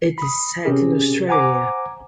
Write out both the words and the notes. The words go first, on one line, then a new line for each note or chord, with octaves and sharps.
It is set in Australia.
B5 D#6
C3 C#4 G4 G#4 A#4
C5 F#5 G#5 A#5 D6